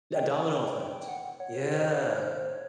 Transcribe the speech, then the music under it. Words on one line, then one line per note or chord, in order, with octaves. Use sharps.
a domino effect. Yeah.
G5
G5
F#5
F#5
C#5
C5
C#5
C5
C#5
C5
C#5
C5
C#5